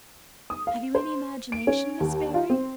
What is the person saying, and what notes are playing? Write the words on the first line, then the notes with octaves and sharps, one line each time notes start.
Have you any imagination, Miss Barry?
D#6
F5
C5
D7
C#4
D#2
F4
C4